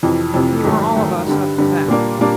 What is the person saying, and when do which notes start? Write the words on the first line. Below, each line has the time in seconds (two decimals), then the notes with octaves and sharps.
We were all of us up to that.
0.03 F2 C3 E3
0.34 F2 C3 E3
0.64 G#2 D#3 F#3 A3
0.96 G#2 D#3 F#3 A3
1.27 G2 D3 G3
1.58 G2 D3 G3
1.88 A#2 G3 A#3 D4
2.19 A#2 G3 A#3 D4